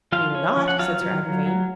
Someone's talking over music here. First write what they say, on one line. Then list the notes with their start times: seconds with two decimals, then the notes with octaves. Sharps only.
"We will not," said Sir Agrivain.
0.12 F3 F4 F5
0.35 C#4
0.57 F3
0.68 F#5
0.79 F#3 F4 F5
1.01 F#3
1.23 F#3
1.46 F#3